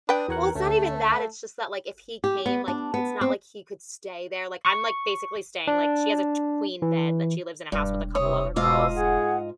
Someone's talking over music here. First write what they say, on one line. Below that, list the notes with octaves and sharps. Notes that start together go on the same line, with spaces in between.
Well, it's not even that, it's just that like, if he came, like, it's not like he could stay there, like, I'm, like, basically staying, like, she has a t queen bed and she lives in a house with a couple other girls,
D4 B4 G5 D#6
E2 F#4 A#4 C#5 F#5
D2 A3 C#4 A4
G4
B3
D4
B3
C4
C#6
D4
E3
E1 G2
C3 C#5 D#6
G#2 B2 F4 D#5 F5 D6 E6
G#4 F#5